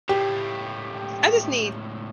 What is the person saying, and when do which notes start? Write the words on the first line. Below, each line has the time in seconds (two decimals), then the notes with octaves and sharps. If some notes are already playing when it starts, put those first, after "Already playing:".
I just need
0.09 C#2 A2 G4